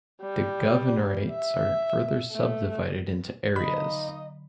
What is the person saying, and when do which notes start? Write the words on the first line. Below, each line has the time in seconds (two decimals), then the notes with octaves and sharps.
The governorates are further subdivided into areas.
0.21 G3
1.31 E5
2.32 A3
3.56 D3 F#3 A#3 D#4 D#5 B5